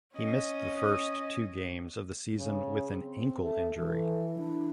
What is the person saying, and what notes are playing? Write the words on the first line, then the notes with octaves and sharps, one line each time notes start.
He missed the first two games of the season with an ankle injury.
C#4 D#5
C#3
C4
A4 E5
E3 A4
D4 E4